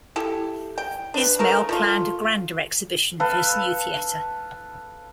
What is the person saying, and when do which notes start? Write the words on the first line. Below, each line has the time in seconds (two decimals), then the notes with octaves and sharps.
Ismail planned a grander exhibition for his new theatre.
0.16 E4 G4 A4
0.78 G5
1.14 D4 B4
1.39 C#3 A3 A#4
1.69 F3 A3 F4
3.20 A4 B4 F5 B5